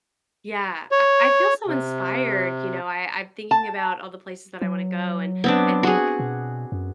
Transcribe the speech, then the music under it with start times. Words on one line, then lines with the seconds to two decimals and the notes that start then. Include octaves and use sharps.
Yeah, I I feel so inspired, you know, I I'm thinking about all the places that I wanna go and I think
0.92 C#5
1.68 C3
3.51 A5
4.62 F#3
5.44 B3 C4 D4
5.83 F#4 G#4
6.19 B2
6.72 F#2